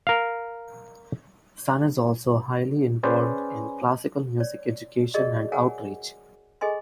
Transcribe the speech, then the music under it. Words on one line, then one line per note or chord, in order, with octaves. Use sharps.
Sun is also highly involved in classical music education and outreach.
A#4 F5
C#4 G#4 B4 C5 D5 G5
C#5 D5
F#4 G#4 A#4 D5 D#5 C#6
G#4 A#4 C#5 F#5 G#5
G#4 A4 D#5 G#5 C6